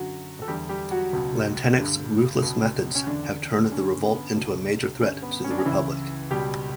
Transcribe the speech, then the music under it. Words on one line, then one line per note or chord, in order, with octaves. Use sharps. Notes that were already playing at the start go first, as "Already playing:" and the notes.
Lantenac's ruthless methods have turned the revolt into a major threat to the Republic.
Already playing: F#2 D3 F#3 F#4
A4
E2 D3 G3 G4
G3 G4
F#3 F#4
C#2 B2
G2 D3
C#2 B2
C#4
E2 D3 D4
G2 D3 C#4
B3
C#2 B2
G2 D3 C#4
B3
C#4
D4
C#4
C#2 C#3 E3 E4
C#2 B2 G3 G4